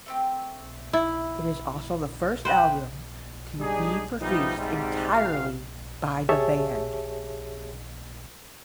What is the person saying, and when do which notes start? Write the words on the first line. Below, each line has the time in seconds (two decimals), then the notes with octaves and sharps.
It is also the first album to be produced entirely by the band.
0.06 A3 C4 G4
0.93 E4
2.45 B4 C5 F#5 G5
3.60 G3 G#3 D4 D#4 G4 G#4
4.21 F3 G3 A3 B3 D#4
4.58 G#2 C3 G3
5.12 G1 F5
6.29 G4 G#4 C#5 E5 A5